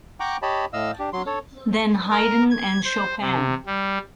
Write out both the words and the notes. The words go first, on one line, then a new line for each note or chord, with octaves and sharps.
Then Haydn and Chopin.
F#5 G5 A#5 C#6 D6 F#6
G4 C#5 D#5 A5 B5
A2 D#5 F5 E6
D4 G4
F#3 C6
A4 C#5
A#4
G#6
C5
C3
G3